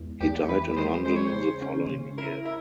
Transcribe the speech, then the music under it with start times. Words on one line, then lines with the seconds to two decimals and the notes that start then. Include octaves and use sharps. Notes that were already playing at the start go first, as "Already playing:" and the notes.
He died in London the following year.
Already playing: E2 G#3
0.20 E2 G4
0.49 E3 B4
0.77 G#3 C5
1.05 G#3 C5
1.16 C#5
1.26 C5
1.33 C#3
1.62 C#4
1.89 C#3
2.18 E4 A#4
2.45 E4 A#4